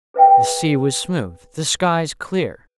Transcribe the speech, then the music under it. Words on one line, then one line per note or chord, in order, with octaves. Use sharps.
The sea was smooth, the skies clear.
G#4 B4 E5 G5